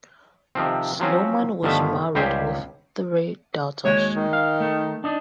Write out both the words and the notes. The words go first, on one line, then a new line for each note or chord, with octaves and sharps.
Sloman was married with three daughters.
C3 D#3 F3 C4
F3 F#3 C4 C#4
G1 D3 D#3 F3 A3 E5
C#2 G3 D#4 G4 C5 G#5
D#2 G#3 F#4 C#5
D#3
F5
A3
D4 D#4